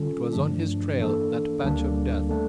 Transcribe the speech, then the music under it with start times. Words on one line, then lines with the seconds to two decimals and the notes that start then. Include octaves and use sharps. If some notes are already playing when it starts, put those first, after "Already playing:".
It was on his trail, that patch of death.
Already playing: D3 G3 C#4 F4 A4
0.33 G2 F3 A3 D4
0.99 E3 A#3 D4 A4
1.63 D2 D3 G3 A#3 D4
2.29 D3 A3 D4